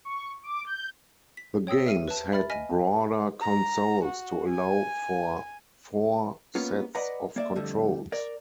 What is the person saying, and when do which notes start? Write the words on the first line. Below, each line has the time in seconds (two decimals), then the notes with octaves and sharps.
The games had broader consoles to allow for four sets of controls.
0.05 C#6
0.43 D6
0.66 G6
1.37 B6
1.67 C#5 G5 D#6 E6
1.86 E5 F6 D#7
2.08 B4 A5
2.32 E5 B5 F6 A6
2.50 D#5 G#5 F6 A#6 B6
3.41 A#5
4.04 F#4
4.49 G#5
6.55 A#3 B3 C#4 F4
6.95 B4 D5 D#5 F#5 A#5 B5
7.36 A#3 D5 E5
7.56 F2 D3 G3 A3
8.12 A#4 D5